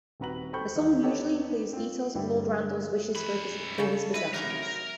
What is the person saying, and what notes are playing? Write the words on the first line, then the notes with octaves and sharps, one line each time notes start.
The song usually includes details of Lord Randall's wishes for his possessions.
D#1 C4 F#4 B4 A#5 F#7
A4 C5 G5 B5 C#6 G6
D#2 E3 D#4
B3 C4 D#4 G4 A4 C#5
C4 F4
G2 D3 G3 E4 G4
F#2 E3 B5
C#3 A4
E4 B4 D#5
E3 F#3 D#4 A#4